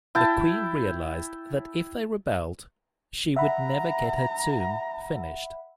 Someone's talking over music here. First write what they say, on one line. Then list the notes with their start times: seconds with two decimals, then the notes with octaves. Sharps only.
The Queen realized that if they rebelled, she would never get her tomb finished.
0.15 E4 G5 A5
3.36 E5 F#5 A#5 B5